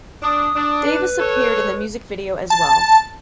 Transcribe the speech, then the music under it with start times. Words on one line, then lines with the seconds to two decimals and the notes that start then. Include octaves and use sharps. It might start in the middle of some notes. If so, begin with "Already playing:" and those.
Davis appeared in the music video as well.
0.22 D4 D#6
0.55 D4
0.85 B4
1.19 A4 C#5
2.50 A5